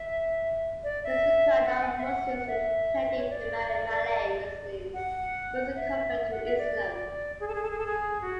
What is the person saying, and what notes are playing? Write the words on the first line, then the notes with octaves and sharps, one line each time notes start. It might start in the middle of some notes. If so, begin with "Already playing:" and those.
These require non-Muslims intending to marry Malay-Muslims first to convert to Islam.
Already playing: E5
D5
E5
F#5
G#5
F#5
E5
F#5
F#5
E5
C#5
D5
F#5
E5
F#5
E5
D5
G#4
A4
G#4
A4
G#4
A4
G#4
F#4